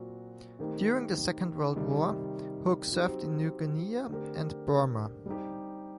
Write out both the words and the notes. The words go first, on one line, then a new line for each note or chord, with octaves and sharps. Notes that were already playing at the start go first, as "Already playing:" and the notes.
During the Second World War Hook served in New Guinea and Burma.
Already playing: A#2 F#3 C4 F#4
D#3 A3 C4 G4 A#4
C3 D#3 G3
F#3 C4 D#4 G4
D3 A3 C4 G4 A#4
G3 C4 D#4 G4